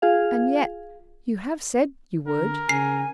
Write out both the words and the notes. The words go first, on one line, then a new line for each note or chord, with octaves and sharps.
"And yet you have said you would?"
F4 G#4 F5
D3 A#4
C#3 G#5 C7